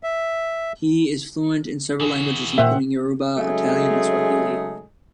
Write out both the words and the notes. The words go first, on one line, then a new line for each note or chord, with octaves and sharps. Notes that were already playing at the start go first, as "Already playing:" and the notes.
He is fluent in several languages, including Yoruba, Italian, and Swahili.
E5
E3 F#4 G#4
A#2 A#3 C4 E5 F#5
C#3 F#3 G#3 A3 D#4 G#4